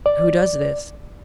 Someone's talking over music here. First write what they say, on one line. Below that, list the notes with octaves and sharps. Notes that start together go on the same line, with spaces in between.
Who does this?
D5